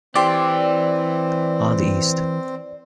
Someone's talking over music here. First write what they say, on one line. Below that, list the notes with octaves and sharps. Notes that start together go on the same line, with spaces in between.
On the East.
E3 C4 G4 D5 C6